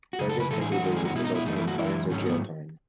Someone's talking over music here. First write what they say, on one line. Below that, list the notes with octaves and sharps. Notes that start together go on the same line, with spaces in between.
Charges can be laid, resulting in fines or jail time.
F#4
F#2 C#3 G#4
A4
B4
A2 E3 G#3 A4
G#4
F#4
F#2 D#3 G#3
G#4
F#4
B2 G#3 E4
D#4
E4
F#2 E3 A3 D#4
E4
F#4
F#2 E3 G#3 E4
G#2 D#3 F#3 A3 C#4
B3